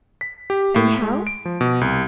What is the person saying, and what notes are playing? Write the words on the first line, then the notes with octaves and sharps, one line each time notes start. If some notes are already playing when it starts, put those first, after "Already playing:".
And how?
B6
G4
A2
G#3
D7
F3
B2
C2